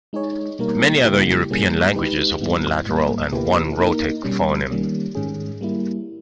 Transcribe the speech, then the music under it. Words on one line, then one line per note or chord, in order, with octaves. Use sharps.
Many other European languages have one lateral and one rhotic phoneme.
G#3 D#4 G#4 C#5
B2 G3 A#3 D#4 A#4
C#3 G3 A#3 E4 G4
B2 G3 A#3 C#4 G#4
G#3 D#4 G4 B4
G#2 G3 B3 E4
G#2 G3 A#3
B2 A#3 E4 G4 B4
A#3 D#4 A#4
B2 G3 C#4
D#3 G3 A#3 C#4
G#2 D#3 G#3 C#4 G#4
G3 A#3 E4